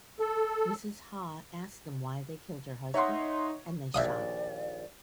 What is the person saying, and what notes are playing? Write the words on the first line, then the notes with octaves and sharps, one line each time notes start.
Mrs. Ha asked them why they killed her husband and they shot her.
A4
D#4 C#5 E5 F#5 C6
A#1 D#2 D5 E5 F5 D#6